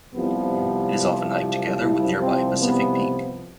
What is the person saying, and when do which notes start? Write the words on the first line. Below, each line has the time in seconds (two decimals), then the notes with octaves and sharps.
It is often hiked together with nearby Pacific Peak.
0.13 C2 C3 F3 B3
1.76 E4
2.18 C4
2.58 B3